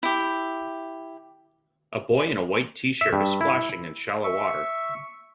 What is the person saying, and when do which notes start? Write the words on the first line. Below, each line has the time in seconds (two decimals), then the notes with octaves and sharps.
A boy in a white tshirt is splashing in shallow water.
0.03 E4 G4
3.01 E5
3.13 G2
3.41 E4
4.24 E5 C#6